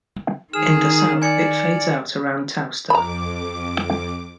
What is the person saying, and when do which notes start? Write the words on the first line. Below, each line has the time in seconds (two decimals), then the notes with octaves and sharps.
In the south, it fades out around Towcester.
0.53 D#3 G#4 F6 E7
1.22 D5 G#5 G#6 C#7
2.90 F2 A#5 B5 D6